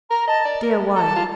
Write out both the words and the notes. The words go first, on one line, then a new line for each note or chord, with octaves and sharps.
Dear wife!
A#4 A#5
D#5 A5
D5
A#4
A4 A#5
A5
F4